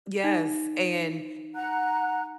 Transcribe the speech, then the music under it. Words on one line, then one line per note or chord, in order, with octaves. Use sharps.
Yes, and
D#4
F#5 A#5 F#6